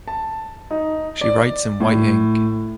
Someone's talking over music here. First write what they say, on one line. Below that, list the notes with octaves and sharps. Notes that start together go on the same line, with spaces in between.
She writes in white ink.
A5
D#4
D5
A2